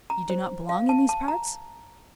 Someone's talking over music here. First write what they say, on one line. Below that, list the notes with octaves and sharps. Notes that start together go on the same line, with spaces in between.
"You do not belong in these parts?"
A#5
C5
F5
A5
A5
A#5